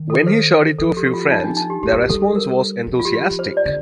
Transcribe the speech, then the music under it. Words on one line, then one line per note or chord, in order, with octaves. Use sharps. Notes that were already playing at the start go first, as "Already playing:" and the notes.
When he showed it to a few friends, their response was enthusiastic.
Already playing: D#3
A4
C5
F3 A4
G4
F4
D#4
D4
D#4
G4
A3 G4
G3
F3
G3 A4
A#4
F3
F4
G4
C5
D5
D3